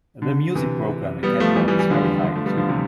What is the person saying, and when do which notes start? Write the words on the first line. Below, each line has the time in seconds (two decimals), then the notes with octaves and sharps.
The music program in Kedron is very high achieving.
0.22 D3
0.55 C3 E3
1.23 G3 B3
1.40 F3 A3
1.56 E3 G3
1.68 E3 G3
1.79 E3 G3
1.90 D3 F3
2.24 D3 F3
2.35 F3 A3
2.46 G3 B3
2.57 D3 F3
2.69 C3 E3